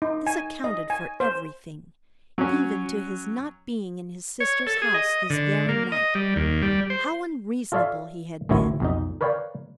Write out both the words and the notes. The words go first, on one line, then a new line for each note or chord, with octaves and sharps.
This accounted for everything, even to his not being in his sister's house this very night. How unreasonable he had been!
D#4
G#5
D#5
G#5
C5
F#3 C#4
C#5
A4
G#4
D#5
D3
A#3
D#5
G3
D#2
G3
C5
F4 A4 C#5 D5 E5 F5
A1 D2 D#3 F#3 E4 C#5
B1 F2 D#4
A#4 B4 C#5 D5 F5 G5